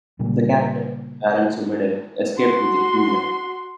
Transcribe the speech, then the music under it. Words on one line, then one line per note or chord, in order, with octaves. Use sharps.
The Captain, Alonso Medel, escaped with a few men.
A#2 C#3 G3
F#4 C6